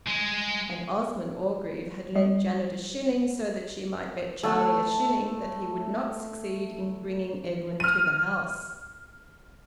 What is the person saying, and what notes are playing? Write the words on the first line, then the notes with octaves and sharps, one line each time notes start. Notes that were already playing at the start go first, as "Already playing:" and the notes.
And Osmond Orgreave had lent Janet a shilling so that she might bet Charlie a shilling that he would not succeed in bringing Edwin to the house.
G#3
G3
A3 A5 E6
F6 D#7